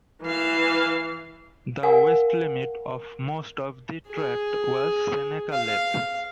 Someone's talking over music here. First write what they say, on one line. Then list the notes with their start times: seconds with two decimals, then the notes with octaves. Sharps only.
The west limit of most of the tract was Seneca Lake.
0.22 E3 F5
1.83 A#4 F5 F#5 G#5
4.08 G#4
5.53 F5